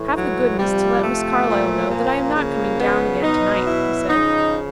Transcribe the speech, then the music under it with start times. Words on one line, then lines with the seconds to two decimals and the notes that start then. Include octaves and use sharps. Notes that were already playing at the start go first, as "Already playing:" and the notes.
"Have the goodness to let Miss Carlyle know that I am not coming down again to-night," he said.
Already playing: A2 E3
0.15 F#3
0.59 C3 F3 G3
1.03 A3
1.47 A#2 F3
1.91 A#3
2.34 C#3 F3
2.79 B3
3.22 B2 F#3 D#4
3.66 E4
4.09 C#3 F3 D#4